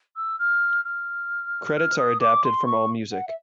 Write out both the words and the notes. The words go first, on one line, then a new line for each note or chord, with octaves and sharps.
Credits are adapted from AllMusic.
E6
F6
F6
F6
D#6
D6
C6
C#6
F#5
E5